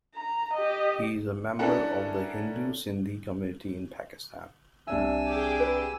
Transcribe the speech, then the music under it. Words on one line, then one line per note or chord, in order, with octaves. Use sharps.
He is a member of the Hindu Sindhi community in Pakistan.
A#5
G4 D#5
C#4 D4 E4 A4 A#4 F#5
C2 D4 E5 G#5 E6
G4 G#4 D6
B4